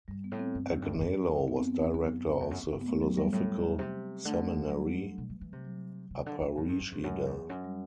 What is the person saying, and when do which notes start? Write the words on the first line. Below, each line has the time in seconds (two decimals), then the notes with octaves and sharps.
Agnelo was director of the philosophical seminary, Aparecida.
0.08 G2 G3
0.24 B3
0.32 A2
0.39 C4
0.55 G2
0.68 F#2
0.82 G2
0.96 G2
1.01 F#2
1.48 B3
1.57 C4
1.68 B3
1.94 F#2 B3
2.40 E2
2.51 F#2
2.63 F#2
2.74 G2
2.82 B3
2.86 A3
3.02 F#3
3.17 G3
3.32 A2
3.79 C3
4.25 D3 A3
4.66 F#3
4.71 G3
5.18 B2
5.30 E3
5.41 E3
5.52 C3
5.65 F#3
6.11 C3
6.26 D3
6.41 D3
6.57 A2 F#3
6.68 G2
6.80 F#2
6.91 E2
7.04 F#2
7.26 E2
7.49 F#2
7.64 G3